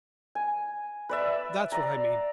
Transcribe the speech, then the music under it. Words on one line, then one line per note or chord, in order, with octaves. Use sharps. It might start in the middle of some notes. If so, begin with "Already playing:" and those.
That's what I mean.
G#5
B4 D5 E5
D5 A#5